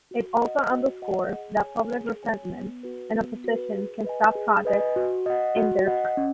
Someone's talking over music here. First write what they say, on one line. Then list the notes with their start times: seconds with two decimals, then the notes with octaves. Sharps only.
It also "underscores that public resentment and opposition can stop projects in their tracks".
0.11 F#4
0.41 D#5 F#5
0.72 F#4
1.02 D#5 F#5
1.32 G#4
1.63 C#5 G#5
1.93 G#4
2.23 C#5 G#5
2.53 B3
2.83 F#4 B4
3.14 B3
3.44 F#4 B4
3.74 G#4
4.04 B4 D#5 G#5
4.35 G#4
4.65 B4 D#5 G#5
4.96 F#4
5.26 D#5 F#5
5.56 F#4
5.86 D#5 F#5
6.17 C#4